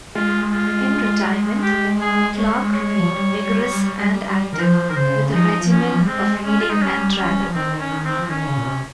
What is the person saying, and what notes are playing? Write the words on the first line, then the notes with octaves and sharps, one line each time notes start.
In retirement Clarke remained vigorous and active with a regimen of reading and travel.
G#3 F4
F4
G4
G#4
C#5
C#5
F3
G3
D#3 A#4
F3 C5
D#3 A#4
C#3 C5
F3 D#4
C#4
G3
G#3 C4
C#4
F4
D#4
G3 C#4
C#4
G3
F3
D#3 C4
C#4
C4
F3
D#3 C#4
C#3
A#2
C3